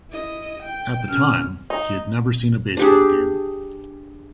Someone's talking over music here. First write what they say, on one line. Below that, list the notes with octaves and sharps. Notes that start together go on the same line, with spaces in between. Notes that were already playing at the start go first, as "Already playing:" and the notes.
At the time, he had never seen a baseball game.
E4 D#5
G5
C#4 F6
D#4
D4 G4 G#4